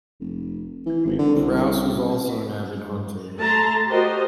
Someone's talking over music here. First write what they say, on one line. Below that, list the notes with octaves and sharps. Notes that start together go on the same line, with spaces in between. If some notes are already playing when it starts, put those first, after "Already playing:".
Prowse was also an avid hunter.
F1
E3
G#1
D3
C2
A3 A5 A#5 C6
F#4 G4 A#4 C5 D#5